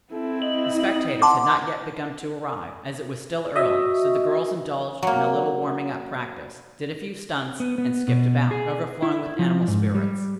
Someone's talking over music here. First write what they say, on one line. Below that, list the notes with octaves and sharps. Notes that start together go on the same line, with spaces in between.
The spectators had not yet begun to arrive, as it was still early, so the girls indulged in a little warming-up practice, did a few stunts and skipped about, overflowing with animal spirits.
C4 E4 A4
D#5 F#7
F#5 A5 C6 D6
F#4 D#5 E5
F#3 A#3
B3
B3
B2
G#4
E4
F3
G#2
G3